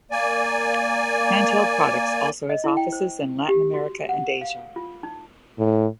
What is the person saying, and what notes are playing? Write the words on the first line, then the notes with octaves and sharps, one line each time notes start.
Hand Held Products also has offices in Latin America and Asia.
A#3 D5 G#5
D#5
E4
G5
C5
G4
F#4
F#5
F5
F4
D#4
A2